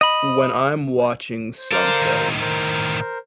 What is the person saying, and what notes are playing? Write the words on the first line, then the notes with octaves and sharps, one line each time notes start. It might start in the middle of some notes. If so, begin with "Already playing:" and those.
when I'm watching something,
D#5 B5
C5
A4 A#4 C5 D5 F5
A2 D#3
A#4 C5